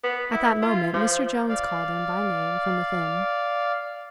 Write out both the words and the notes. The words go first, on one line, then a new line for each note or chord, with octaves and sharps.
At that moment Mr. Jones called him by name from within.
B3
E4
F4
F3
D5 F5